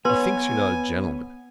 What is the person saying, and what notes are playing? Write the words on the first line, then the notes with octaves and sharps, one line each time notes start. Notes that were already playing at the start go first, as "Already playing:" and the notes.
He thinks you're not a gentleman.
B3 B4 C#5 G#5 C6